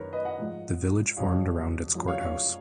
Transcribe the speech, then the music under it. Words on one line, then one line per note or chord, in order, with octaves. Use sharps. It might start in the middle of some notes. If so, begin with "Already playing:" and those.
The village formed around its courthouse.
Already playing: F#2 D#3 F#3 A#4 B4 C#5
B4 D#5
D#5 F#5
G#2 F3
F2 C#3 F#3 C#5 F5
F#2 F3
C#5 F5
C#5 F5